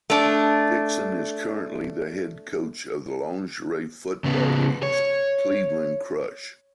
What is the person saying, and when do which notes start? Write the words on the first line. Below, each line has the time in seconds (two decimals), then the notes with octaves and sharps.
Dixon is currently the head coach of the Lingerie Football League's Cleveland Crush.
0.10 A3 D4
4.24 C#3 B3
4.83 C#5